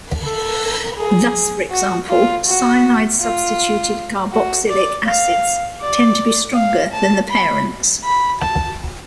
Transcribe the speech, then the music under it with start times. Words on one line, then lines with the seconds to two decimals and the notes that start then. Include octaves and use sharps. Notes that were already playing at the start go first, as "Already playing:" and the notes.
Thus, for example, cyanide-substituted carboxylic acids tend to be stronger than the parents.
0.23 A4
0.97 G#4
1.71 F#4
2.09 F4
2.46 F#4
3.21 F4
4.32 F#4
4.69 D5
5.07 F5
5.81 D5
6.55 F5
6.92 A5
7.30 B5
8.04 B5
8.41 A5